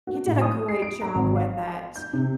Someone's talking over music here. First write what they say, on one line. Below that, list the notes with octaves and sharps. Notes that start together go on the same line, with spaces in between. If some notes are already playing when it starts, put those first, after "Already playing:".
He did a great job with it,
F#4
A2
D#6
C7
D7
A#5
G#1
F5
G6
C3